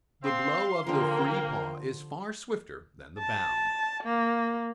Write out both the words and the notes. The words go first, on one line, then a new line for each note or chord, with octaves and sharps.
The blow of the free paw is far swifter than the bound.
C4 F5 C6
D3 F3 A#3 A#4 G5
A5
A#3